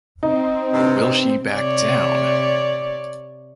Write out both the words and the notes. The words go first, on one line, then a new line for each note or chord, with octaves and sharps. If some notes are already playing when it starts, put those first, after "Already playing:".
Or will she back down?
C4 D#4
G2 C3
C3 C#5 D5